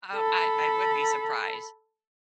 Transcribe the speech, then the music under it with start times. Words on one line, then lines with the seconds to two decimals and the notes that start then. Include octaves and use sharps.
Oh, I I would be surprised.
0.15 A4 B5